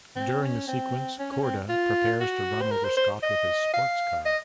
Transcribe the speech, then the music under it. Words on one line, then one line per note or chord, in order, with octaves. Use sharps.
During the sequence, Korda prepares to run over Scott with his sports car.
C4
C#4
C4
C#4
C#4
C4
F4
F#4
C5
A#4
C5
C5
D#5
F5
D#5